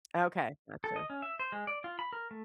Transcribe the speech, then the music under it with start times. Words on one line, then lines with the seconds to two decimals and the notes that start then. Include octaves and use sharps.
Okay. Gotcha.
0.84 A4
0.96 D#5
1.10 C#4
1.22 E5
1.39 C5
1.52 G#3
1.67 D5
1.84 F4
1.99 B5
2.13 A#4
2.31 A3